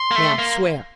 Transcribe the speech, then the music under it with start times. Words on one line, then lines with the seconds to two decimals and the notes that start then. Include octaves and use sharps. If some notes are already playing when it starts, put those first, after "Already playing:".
Now swear.'
Already playing: C6
0.11 A#3
0.16 A3
0.39 A#3